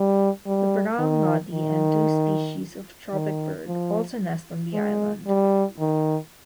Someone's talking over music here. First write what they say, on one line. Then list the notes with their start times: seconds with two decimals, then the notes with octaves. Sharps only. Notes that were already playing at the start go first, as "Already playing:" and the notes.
The brown noddy and two species of tropicbird also nest on the island.
Already playing: G3
0.46 G3
0.99 D#3
1.53 D#3
3.13 D#3
3.67 F3
4.73 G#3
5.27 G3
5.79 D#3